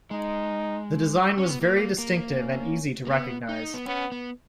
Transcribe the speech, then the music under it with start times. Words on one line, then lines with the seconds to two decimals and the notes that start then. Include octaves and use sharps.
The design was very distinctive and easy to recognise.
0.11 G#3 D#4
1.38 C#4
1.49 B3
1.62 A#3
1.98 A#3
2.36 C#4
3.07 A#3
3.10 B3
3.49 D#4
3.74 B3
3.86 B3 C#4
4.12 B3